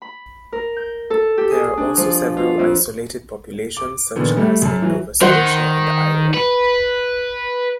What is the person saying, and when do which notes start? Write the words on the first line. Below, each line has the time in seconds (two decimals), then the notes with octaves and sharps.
There are also several isolated populations, such as in Nova Scotia and Iowa.
0.02 B5
0.52 A#4
0.77 G6
1.10 A4
1.38 G4
1.51 G#4
1.77 D4
1.97 F3
2.37 F4
2.59 F2
3.77 D6
4.16 A#2 D3 D#3 F3 B3
4.37 G3 A3
4.62 F#2 A5
4.82 E3 F#3
5.21 D#3 C5 F#5
6.34 B4